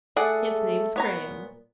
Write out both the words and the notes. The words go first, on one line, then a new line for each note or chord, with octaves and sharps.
His name's Graham.
A3 G#4 D5 F#5
B3 C#5 A#5
A#2